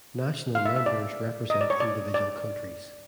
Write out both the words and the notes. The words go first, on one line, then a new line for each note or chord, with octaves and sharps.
National Members represent individual countries.
F5
E5
E5
D5
D#5
D5
C#5
D5
D5